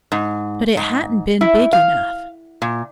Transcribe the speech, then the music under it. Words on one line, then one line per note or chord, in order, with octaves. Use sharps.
But it hadn't been big enough.
G#2
G#2
E4
F5
A#2